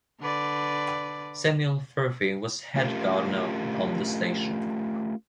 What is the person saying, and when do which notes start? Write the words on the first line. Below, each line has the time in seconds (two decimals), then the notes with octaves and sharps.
Samuel Furphy was head gardener on the station.
0.20 D3 B4 D5
2.76 A3 C#4 F4 G4 A#4